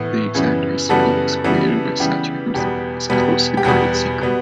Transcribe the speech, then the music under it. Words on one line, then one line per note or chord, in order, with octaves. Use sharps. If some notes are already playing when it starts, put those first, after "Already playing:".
The exact recipe as created by Sacher himself is a closely guarded secret.
Already playing: A2 E3 B3
F#2 C#3 E3 G3 B3
F#2 C#3 E3 G3 B3 F#4 A4
C#3 E3 G3 B3
C#3 E3 G3 B3 G4
E2 B2 G3 B3 G4
E2 B2 G3 B3
G4
E2 B2 G3 B3 F#4
B2 G3 B3